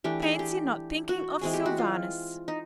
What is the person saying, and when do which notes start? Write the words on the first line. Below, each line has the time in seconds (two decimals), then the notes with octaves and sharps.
"Fancy not thinking of Sylvanus!"
0.04 E3 A3 D4 G4
0.22 G#4
0.39 G4
1.09 F#4
1.41 E3 G#3 C4 G#4
1.53 G4
1.66 F#4
1.78 F4
2.48 D#4